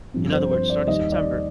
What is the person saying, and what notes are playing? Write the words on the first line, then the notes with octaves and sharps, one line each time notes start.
in other words, starting September,
G2 F3 C4
C5
C5
D5
D#2 D#3 G3 D#5
D5